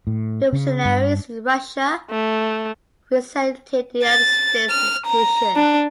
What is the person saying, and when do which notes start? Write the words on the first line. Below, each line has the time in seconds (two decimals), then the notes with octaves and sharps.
Revolutionaries in Russia resented the United States intrusion.
0.07 A2
0.53 C#3
0.85 G2
2.11 A3
4.03 A6
4.70 F6
5.07 A#5
5.56 D4